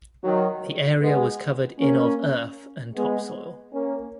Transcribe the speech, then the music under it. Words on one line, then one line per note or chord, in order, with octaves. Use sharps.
The area was covered in of earth and topsoil.
D#3 F#3
G#3 B3
A#3 C#4
G#3 B3
A#3 C#4